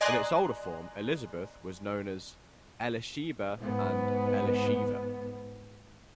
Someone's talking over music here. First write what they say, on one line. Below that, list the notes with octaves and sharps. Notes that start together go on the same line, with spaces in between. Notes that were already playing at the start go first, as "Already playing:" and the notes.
In its older form Elizabeth was known as Elisheba and Elisheva.
D5 D#5 G#5 A#5 C6 F#6
G#2 B3